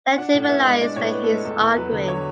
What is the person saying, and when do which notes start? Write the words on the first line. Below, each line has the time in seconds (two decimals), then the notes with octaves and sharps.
Let him realize that he is arguing.
0.18 D4 F#5
0.34 A2
0.44 F#5
0.49 B3 E5
0.65 G#3
0.81 D4 D5
0.96 A2 C#5
1.02 B4
1.14 B3
1.24 A4
1.29 G#3
1.44 E2 A4
1.61 E2
1.76 F#3 B4
1.92 D3
2.08 C#5